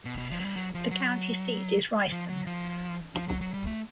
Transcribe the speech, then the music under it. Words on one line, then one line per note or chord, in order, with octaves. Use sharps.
The county seat is Rison.
B2
B2
F3
F#3
G3
F#3
F3
F#3
F3
F#3
F3
F3
F#3
F#3
G3
A3